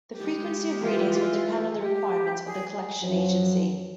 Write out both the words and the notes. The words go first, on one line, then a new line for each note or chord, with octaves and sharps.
The frequency of readings will depend on the requirements of the collection agency.
G#3 G4
E3 F4
G4
G#4
F#2 F3 F#3